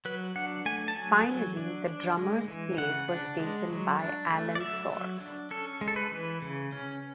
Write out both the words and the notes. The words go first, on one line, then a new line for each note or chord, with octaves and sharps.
Finally, the drummer's place was taken by Alan Sors.
F#3 B4
D4 F#5
A3 G#5
A5
F#3 G#5
F#3
D4
D4
G#3
E3
C#3 F#5
D4
G#3
F#3
D4
A3
D5
F#3 E5
F#3
D4
C#4 A4
G#3
A4
B4
E3
C#3
C#4